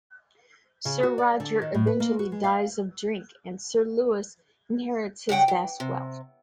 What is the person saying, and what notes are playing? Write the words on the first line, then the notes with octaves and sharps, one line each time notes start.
Sir Roger eventually dies of drink and Sir Louis inherits his vast wealth.
C#3
F#4
D5
D3
D#3
A2
B4
A#3
F#4
G#3
F5
G2 C#3 F#5 G5
E3
C3